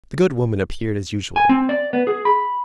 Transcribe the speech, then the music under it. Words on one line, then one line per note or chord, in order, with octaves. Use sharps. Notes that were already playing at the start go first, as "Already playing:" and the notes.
The good woman appeared as usual.
G#5
C4
D5
B3
G#4
B5